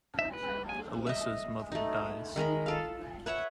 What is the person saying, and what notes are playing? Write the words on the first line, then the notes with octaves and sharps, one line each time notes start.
Alicia's mother dies.
E5
B4
G#5
D#5 E5
A3 D#4
D#3 G#3 A#4 B5
F4 A4 F5
B4 C#5 E5 F#5